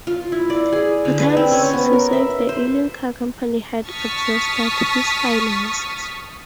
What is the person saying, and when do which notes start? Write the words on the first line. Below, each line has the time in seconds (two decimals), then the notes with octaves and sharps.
Attempts to save the ailing car company had exhausted his finances.
0.07 F4
0.32 E4
0.50 D5
0.73 G#4
1.05 D3
1.20 B4
1.37 C4
1.52 C#4
1.73 B3
1.93 A#4
2.13 E5
2.49 C5
3.86 A5 C#6 D#6 F6 A6 B6